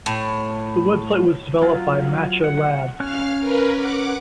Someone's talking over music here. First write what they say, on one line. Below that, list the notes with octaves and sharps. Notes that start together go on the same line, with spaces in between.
The website was developed by Matcha Labs.
A2
F#3 F4
F#5
C#4 F5 F6 F#6
A#4 B4
F#5 D6